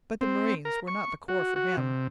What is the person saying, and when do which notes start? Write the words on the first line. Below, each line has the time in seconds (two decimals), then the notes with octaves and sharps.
But the Marines were not the corps for him.
0.21 C4
0.65 A#4
0.88 C#6
1.28 F#4
1.56 F#4
1.77 C3